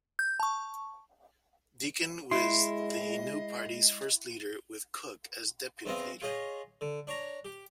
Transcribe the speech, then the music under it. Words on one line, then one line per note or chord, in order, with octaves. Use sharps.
Deakin was the new party's first leader, with Cook as deputy leader.
G6
A5 C#6
G#3 E4 D#5 C6
E2 B3 C4 D#5 F5
F4 G#4 C#5 D#5
D3
D4 C#5 A#5
G4